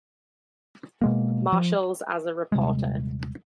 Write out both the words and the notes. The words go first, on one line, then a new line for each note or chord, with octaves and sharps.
Marshals as a reporter.
B2 G#3 A#3
F3
D#1 C3 G3 G#3